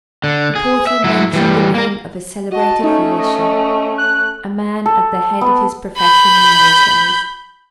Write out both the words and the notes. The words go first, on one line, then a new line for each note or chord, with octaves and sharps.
The porter mentioned the name of a celebrated physician--a man at the head of his profession in those days.
D3
G#4
E5
F#3 E4
E3 G3
A#3 A#4
F#4 D#5 A5
A3 C#4 D#4
D#5
F#6
A4
B3
B5 G6